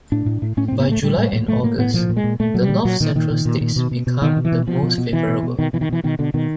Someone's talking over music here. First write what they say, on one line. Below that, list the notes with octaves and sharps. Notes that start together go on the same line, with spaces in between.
By July and August, the north-central states become the most favorable.
A2 D4
A2
A2
A2 C#4
C4
A2
B3
A2 A3
A2 G3
A2
A2
A2 A3
A2 A#3
A2 B3
A#2 F3
A#2
G#3
A#2
A#2 A3
A#2 F#3
G3
A#2
A#2 F#3
A#2 D#3
A#2 D#3
A#2
A#2
A#2
B2
B2
B2
B2 D#3
B2
E3
B2
B2 F3
B2
B2
B2 E3
B2
B2
B2 D#3
B2 E3
D#3
B2 E3
B2 D#3
B2 D3
B2 D#3